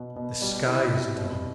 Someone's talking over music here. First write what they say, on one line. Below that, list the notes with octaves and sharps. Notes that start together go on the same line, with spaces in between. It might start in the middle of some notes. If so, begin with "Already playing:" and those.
The sky is dull.
Already playing: B2 B3
B2
G3
E4
C3
B2